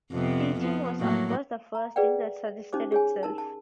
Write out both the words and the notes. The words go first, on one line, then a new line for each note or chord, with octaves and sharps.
Teaching was, of course, the first thing that suggested itself.
F2 C3 B3
F3 B3
A2 F#3 A#3
A#5
G#4 A4 B4 D5 F#5 G5
C#4 D#4 G4 C5 D6
G#4 C#5 G#5
D#4 A#4 A5
A5